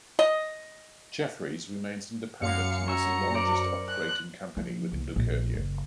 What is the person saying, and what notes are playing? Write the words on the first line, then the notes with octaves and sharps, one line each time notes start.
Jefferies remains independent and is the largest operating company within Leucadia.
D#5
F#2 F5 C#7
C#5 E5 A#5
A#4 C5 D5
F#6
F3
C2
A#1
F#1